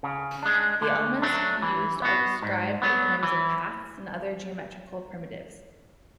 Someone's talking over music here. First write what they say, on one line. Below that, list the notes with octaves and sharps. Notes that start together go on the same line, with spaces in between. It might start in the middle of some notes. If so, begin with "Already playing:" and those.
The elements used are described in terms of paths and other geometrical primitives.
C#3
G#3 D4
D3
F#3 A3 D4
E3
B3 F#4
G#2
F#3 B3
E3